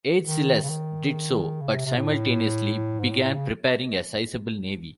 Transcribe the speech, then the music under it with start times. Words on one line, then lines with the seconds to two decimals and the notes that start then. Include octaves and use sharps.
Agesilaus did so, but simultaneously began preparing a sizable navy.
0.24 D#3
0.63 C#3
0.69 D#3
1.61 C#3
1.73 C3
1.85 C3
1.96 A2
3.00 G#2
3.11 A2
3.23 A2
3.34 C#3